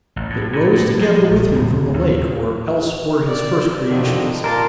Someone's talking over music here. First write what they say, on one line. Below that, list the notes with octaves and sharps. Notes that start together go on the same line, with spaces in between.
They rose together with him from the lake, or else were his first creations.
A1
A2
A#2
A2
F3
A#1
D1
D#2
D5
F2 D3 D#3
A#2 A#4 A5 C6 D6